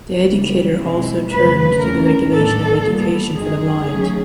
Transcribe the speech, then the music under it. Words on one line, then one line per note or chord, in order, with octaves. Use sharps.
The educator also turned to the regulation of education for the blind.
F#2 C#3 E3 G3
B2 G#3 C4 E4
F2 C#3 F#3 A3 C#4 B4
E2 C3 E3 A3 C#4 A#4
A2 F#3 B3 D4 A4
A#2 G3 B3
F#2 D#3 G#3 G#4
D#3 F#3 A3 C#4